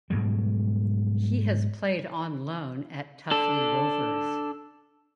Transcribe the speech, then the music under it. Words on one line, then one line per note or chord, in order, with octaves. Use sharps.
He has played on loan at Tuffley Rovers.
G#2 B2 F#3 G3
D4 A4